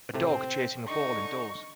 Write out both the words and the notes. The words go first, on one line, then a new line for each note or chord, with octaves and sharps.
A dog chasing a ball indoors.
A2 C3 A3 C4
D3 D#4 C#6